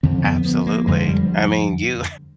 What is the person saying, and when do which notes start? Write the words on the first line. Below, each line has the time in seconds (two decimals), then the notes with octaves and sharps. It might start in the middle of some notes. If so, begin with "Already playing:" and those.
Absolutely. I mean, you
0.03 F2 D3 C4
0.24 B3
0.45 B3
0.67 A#3
0.87 F2 D3 G#3
1.09 G3